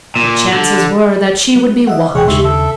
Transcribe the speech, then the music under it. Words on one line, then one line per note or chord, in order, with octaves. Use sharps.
The chances were that she would be watched.
A#2
D3
F#3
D#5 E5 F#5
D1 B2 E3 G#3 G#4 C#5 F#5 G5
D#2 C#3 G#3 D#4 G4 E5 C6 C#6
D#3 A4 E5